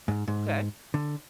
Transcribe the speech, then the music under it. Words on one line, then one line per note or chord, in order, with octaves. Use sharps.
Uh, okay.
G#2
G#2
D3